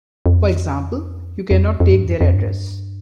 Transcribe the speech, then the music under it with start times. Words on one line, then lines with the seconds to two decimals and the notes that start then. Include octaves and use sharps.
For example, you cannot take their address.
0.26 F2
1.51 F2
1.80 F2
1.93 G2
2.07 F2
2.21 F2
2.34 G2